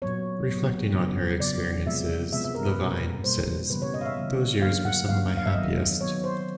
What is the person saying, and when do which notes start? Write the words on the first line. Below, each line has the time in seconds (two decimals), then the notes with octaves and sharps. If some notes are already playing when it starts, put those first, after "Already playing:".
Reflecting on her experiences, Levine says those years were some of my happiest.
0.02 A#2 F#3 B3 C#5
0.48 A#2 F#3 B3
0.94 C#3 F#3 B3
1.40 C#3 F#3 B3 D5
1.86 C3 F3 G#3 B3 E5
2.32 C3 F3 G#3 B3 E5
2.44 E5
2.55 A#4
2.67 B4
2.78 B2 G3 A#3
3.24 B2 G3 A#3 C5
3.70 C#3 E3 G3 B3 B4
3.82 C#5
3.94 D#5
4.01 F5
4.05 E5
4.16 C#3 E3 G3 B3
4.62 D3 F#3 A#3 F5
4.85 F#5
5.09 D3 F#3 A#3 F5
5.37 F5
5.46 E5
5.54 D#3 F#3 B3 D#5
6.01 D#3 F#3 B3 C#5
6.24 C5